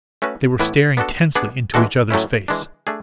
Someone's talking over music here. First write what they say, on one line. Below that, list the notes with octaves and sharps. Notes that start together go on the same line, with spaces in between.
They were staring tensely into each other's face.
A3 C#4 F#4 B4
A2 E3 B3 E4 B4
B3 D4 F#4 A4
B3 D4 G#4 D5
E3 G#3 D4 F#4 A4
A2 F#3 A3 C#4 E4
E3 G#3 D4
A3 D4 G#4